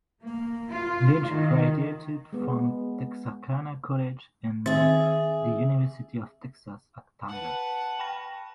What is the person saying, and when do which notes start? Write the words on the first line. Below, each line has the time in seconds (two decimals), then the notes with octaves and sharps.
Lynch graduated from Texarkana College and the University of Texas at Tyler.
0.21 A#3
0.70 F4
1.28 D#3
2.33 G#3 B3
4.66 D#3 C4 G#4 E5 A6
7.28 B4 F#5 A5
7.99 G5 B5 A#6